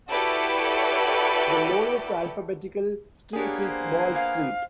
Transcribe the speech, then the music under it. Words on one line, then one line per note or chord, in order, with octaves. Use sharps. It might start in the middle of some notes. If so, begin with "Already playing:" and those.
The "lowest" alphabetical street is Ball Street.
E4 F#4 G4 A4 B4 D5
A#3 B3 D4 G4 G#4 C#5 G#5
C5
F5